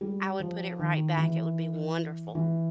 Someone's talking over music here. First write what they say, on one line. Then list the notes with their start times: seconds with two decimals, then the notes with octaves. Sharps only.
I would put it right back, it would be wonderful.
0.01 G3
0.40 F3
0.79 D#3
1.18 E3
2.35 E3